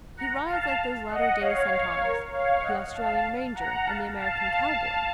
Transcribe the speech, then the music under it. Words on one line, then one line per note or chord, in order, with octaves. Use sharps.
He rides like those latter-day centaurs--the Australian ranger and the American cowboy.
F#5 A#5
F5 A5
D#5 F#5
C#5 F5
A#4 C#5
C#5 F5
D#5 F#5
F5 A5
F#5 A#5
F5 A5
F5 A5